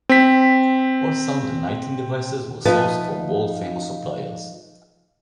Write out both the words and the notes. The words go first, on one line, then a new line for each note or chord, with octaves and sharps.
All sound and lighting devices were sourced from world famous suppliers.
C4 B6
F3 D#4 B4 E5 A5